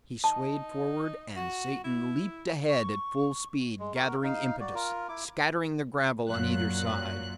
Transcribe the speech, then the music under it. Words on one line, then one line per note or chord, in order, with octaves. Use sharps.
He swayed forward, and Satan leaped ahead at full speed, gathering impetus, scattering the gravel on either side.
D#4 A5
F#4
E4
C#6
G#3
F#4 A#4
D#4 F5
F#4 D5
F4 A#4
E4 D6
F#2 A#2 F#3 F#6